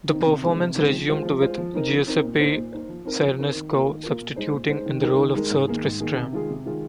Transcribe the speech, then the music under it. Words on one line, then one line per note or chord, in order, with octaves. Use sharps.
The performance resumed with Giuseppe Cernusco substituting in the role of Sir Tristram.
D#3 C4 D#4
C3
D#3 G#3 C4
C3
D#3 G#3 C4
F3
G#3 F4 C5
F3
G#3 F4 C5
F3
C4 D#4 A#4
F3
C4 D#4 A#4
A#2
A#3 D#4 C5
A#2
A#3 D#4 C5
F3
C4 D#4 A#4
F3
C4 D#4 A#4
D#3
A#3 F4 A#4
D#3
A#3 F4 A#4
A#2
G#3 D#4 C5
A#2
G#3 D#4 C5
D#3
G#3 D#4 A#4
D#3
G#3 D#4 A#4
G#2
D#3 A#3 G#4
G#2
D#3 A#3 G#4
C3
D#3 G#3 F4 G#4
C3
D#3 G#3 F4 G#4